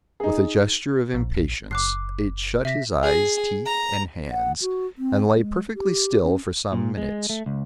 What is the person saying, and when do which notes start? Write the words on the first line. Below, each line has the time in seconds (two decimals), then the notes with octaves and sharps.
With a gesture of impatience, H-- shut his eyes, teeth, and hands, and lay perfectly still for some minutes.
0.20 D#4 G#4
1.14 A#1
1.71 F#1 D6 F#6 C7
2.65 C3 E5 A#6 B6
3.03 G#4
3.66 A#5
4.31 F#5
4.62 F#4
4.98 C4
5.35 G#3
5.75 G4
6.24 C#4
6.72 A#2
6.97 G#3
7.30 A3
7.46 C#2